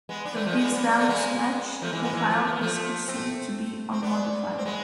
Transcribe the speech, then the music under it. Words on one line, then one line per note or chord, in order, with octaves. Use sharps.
If these values match, the file is presumed to be unmodified.
G#3 B3
B3 D4
A3 C4
F3 A3
G#3 B3
B3 D4
B3 D4
A3 C4
G#3 B3
F3 A3
E3 G#3
G#3 B3
E3 G#3
F3 A3
A3
B3
F3 A3
A3 C4
C4
B3 D4
C4
G#3 B3